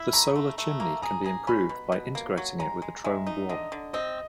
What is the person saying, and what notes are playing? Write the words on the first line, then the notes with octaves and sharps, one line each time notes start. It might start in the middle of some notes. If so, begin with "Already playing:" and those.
The solar chimney can be improved by integrating it with a trombe wall.
Already playing: E4 B5
A3 A#5
A3
A3
A#3 A#5
G#4 A#5
G#4 A#5
C#4 B5
B2
B2
A#3
F#3
G#3 A#5
G#3
G#3 E5
D#4
D3 D#5
D3
C4 D#5